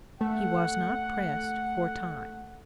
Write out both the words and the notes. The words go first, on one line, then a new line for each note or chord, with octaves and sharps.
He was not pressed for time.
A3 F#5